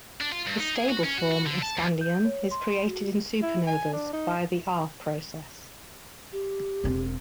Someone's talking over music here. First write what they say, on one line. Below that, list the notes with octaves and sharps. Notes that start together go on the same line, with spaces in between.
The stable form of scandium is created in supernovas via the r-process.
D4
F4
G2
D#4
G#4
F#4
C#4
F#4
F#4
D3
A5
D#2
G6
C#5
C6
F#4
E4
G#5
D4
D#4
G4
E1 C4